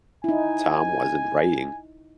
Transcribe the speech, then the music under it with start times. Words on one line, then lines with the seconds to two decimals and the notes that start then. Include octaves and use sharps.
Tom wasn't writing.
0.24 D#4 E4 G#5